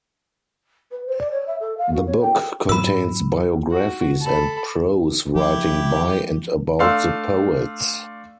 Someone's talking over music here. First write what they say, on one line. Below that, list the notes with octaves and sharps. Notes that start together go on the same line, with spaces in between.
The book contains biographies and prose writing by and about the poets.
B4
C5
D5
C#5
E5
A4
F5
F#4
C#5
G5
G#2 F#3 B5 E6
F#4
A4 B5
F3 E4 G4
A3 D4 F5 C6 E6